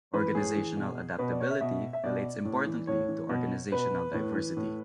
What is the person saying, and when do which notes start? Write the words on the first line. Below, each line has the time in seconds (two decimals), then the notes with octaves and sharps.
Organizational adaptability relates importantly to organizational diversity.
0.13 E3 B4
0.35 A2 G#4
0.56 E3
0.77 B2
1.18 B2 B4
1.29 D5
1.40 C#5
1.50 E5
1.61 B2 E5
1.93 E5
2.04 B2 D5
2.45 A2
2.67 E3
2.87 A2 C#5
3.09 E3
3.29 B2
3.72 B2 B4
4.14 A2
4.35 E3
4.57 A2